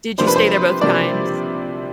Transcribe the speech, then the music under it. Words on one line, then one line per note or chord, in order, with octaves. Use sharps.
Did you stay there both times?
C3 F3 A#3 D4 C5
B4
C5
C3 F3 A#3 D4 D5